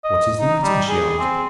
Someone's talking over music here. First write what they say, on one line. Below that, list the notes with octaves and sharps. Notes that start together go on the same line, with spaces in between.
'What is the matter?' she asked.
D#5
D#4
G3
G#4
C4